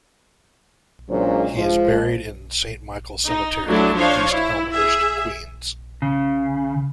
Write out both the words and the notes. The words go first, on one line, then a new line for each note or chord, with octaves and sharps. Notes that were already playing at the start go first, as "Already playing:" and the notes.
He is buried in Saint Michaels Cemetery in East Elmhurst, Queens.
A#2 C#3 F#3 G#3 D4 C5
F3 G#3 F4 C5
D#4
F#3 A3 D4 E4
F3 D4 C5 C#5 F5
E4
G#4 E5
C#3